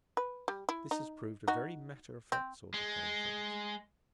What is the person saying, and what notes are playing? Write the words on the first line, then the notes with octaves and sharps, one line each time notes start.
This has proved a very matter-of-fact sort of home for us.
B4
G3
E4
D#4
D#4 F#4
C4
G#3